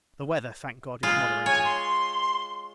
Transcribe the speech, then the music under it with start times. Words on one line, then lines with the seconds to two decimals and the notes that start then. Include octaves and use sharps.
The weather, thank God, is moderating.
1.03 G#3 F4
1.46 C#5 G#5
1.65 C6